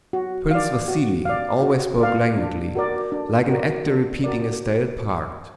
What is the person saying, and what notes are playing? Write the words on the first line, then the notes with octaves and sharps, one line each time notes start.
Prince Vasili always spoke languidly, like an actor repeating a stale part.
F#4
D5 F5
F#4
D5 F5
F#4
D5 F5
D4
F#4 A#4 D5
D4
F#4 A#4 D5
D4
F#4 A#4 D5